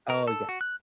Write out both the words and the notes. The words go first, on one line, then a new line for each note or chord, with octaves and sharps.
Oh, yes.
A#4
A4
F#4
F#6